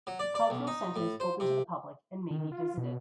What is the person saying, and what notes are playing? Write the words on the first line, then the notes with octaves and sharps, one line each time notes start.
The cultural center is open to the public and may be visited.
F#3
D5
D5
B1
D#4
A2
C5
C3
D#3
F4
B2